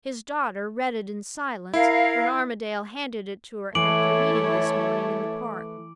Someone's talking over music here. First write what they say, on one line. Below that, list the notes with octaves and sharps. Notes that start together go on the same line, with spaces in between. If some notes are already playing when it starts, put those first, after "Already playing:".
His daughter read it in silence, when Armadale handed it to her at their meeting this morning, in the park.
E4 A#4 F5
E3 A3 E4 A4 C#5 D6 D7 F#7